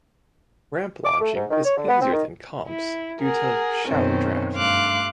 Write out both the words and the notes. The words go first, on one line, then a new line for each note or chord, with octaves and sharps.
Ramp launching is easier than comps due to shallow draft.
D6
A3
G#2
D#3
C#5
D3
B3
C4
D#3
E4
G#4 A#4 F#5
F#2 B2 D#3 C4 C#4
G2 A3 F5 C6 D6 F#6